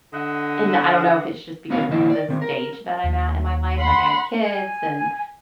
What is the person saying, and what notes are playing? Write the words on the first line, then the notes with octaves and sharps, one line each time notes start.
and I don't know if it's just because the stage that I'm at in my life. Like, I have kids, and,
D3 D#5 E5 F#5
B3 C#4 F#4 B4 F5
D#3 F3 A#3 E4 D#5
D5
D#3 C4
A#4
D#2
F#5 B5 C6
G#5